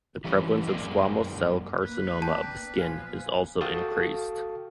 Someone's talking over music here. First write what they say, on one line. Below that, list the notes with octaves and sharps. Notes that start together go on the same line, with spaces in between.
The prevalence of squamous cell carcinoma of the skin is also increased.
E3 G3 C#4
F#2 G#3 A#3 D4
A#3 B4
A#3 B3 D4 G5 A5
A#2 F3 B3 F5 G#5
F#4 A4 F5 G5 A5 D#6